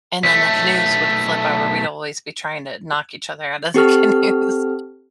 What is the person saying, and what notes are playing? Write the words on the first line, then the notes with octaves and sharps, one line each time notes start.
and then the canoes would flip over. We'd always be trying to knock each other out of the canoes
B1 A3 B6
C4 G4 A4 F6